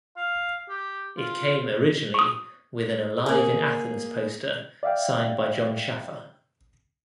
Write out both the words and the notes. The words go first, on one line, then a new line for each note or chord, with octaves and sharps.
It came originally with an Alive in Athens poster signed by Jon Schaffer.
F5
G4
F4
C#6 D#6
A#3 G#4
D5 E5 F5 G5